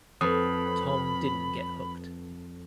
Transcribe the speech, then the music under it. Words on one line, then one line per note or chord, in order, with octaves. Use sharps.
Tom didn't get hooked.
F2 B4 B5 D#6